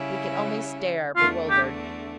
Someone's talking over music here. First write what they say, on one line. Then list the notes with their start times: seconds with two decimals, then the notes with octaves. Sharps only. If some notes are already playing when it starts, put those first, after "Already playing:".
He could only stare, bewildered.
Already playing: C#3 G3 C#4 E4
1.16 E2 D3 A3 D4 F4
1.50 G4